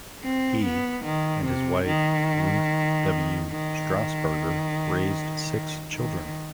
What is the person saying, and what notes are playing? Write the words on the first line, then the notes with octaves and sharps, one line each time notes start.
He and his wife, Ruth W. Strassburger, raised six children.
C4
B3
D#3
C3
D#3
D#3
D#3